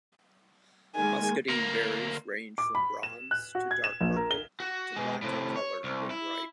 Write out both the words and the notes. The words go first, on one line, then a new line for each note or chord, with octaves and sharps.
Muscadine berries range from bronze to dark purple to black in color when ripe.
D#3 G#3 A#3 G#5
D2 A#3
D6
B5
E7
F#6
F#4
G#6
E7
A#1
A#4
G7
F#4
B2 G#3
A2 C3
C#5
C2
E4